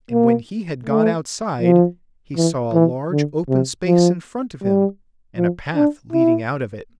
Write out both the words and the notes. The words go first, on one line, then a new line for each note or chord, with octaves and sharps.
And when he had got outside, he saw a large open space in front of him, and a path leading out of it.
A#3
A3
F3
E3
E3
D3
C3
F3
G3
F3
D4
E4